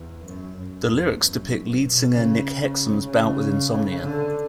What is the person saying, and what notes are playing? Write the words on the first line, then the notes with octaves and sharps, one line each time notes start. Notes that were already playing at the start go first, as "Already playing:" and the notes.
The lyrics depict lead singer Nick Hexum's bout with insomnia.
Already playing: E2
F#2
F#2
E2
F#2
B2
C#3
C#3
C#3
D3